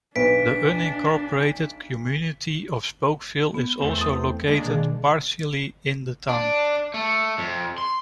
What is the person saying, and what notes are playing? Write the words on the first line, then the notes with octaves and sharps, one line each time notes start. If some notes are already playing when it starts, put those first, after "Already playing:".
The unincorporated community of Spokeville is also located partially in the town.
B1 D4 B4 B6 D7
B3
E2 A3 C4
D#6 A6
G#3 A#3 D4
B2 D#3 G#4
D4
A3
F2
C6